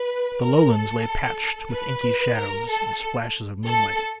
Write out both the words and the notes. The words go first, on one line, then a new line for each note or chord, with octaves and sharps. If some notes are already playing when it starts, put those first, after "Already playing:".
The Lowlands lay patched with inky shadows and splashes of moonlight.
Already playing: B4
A#4
A4
B4
A#4
A4
A4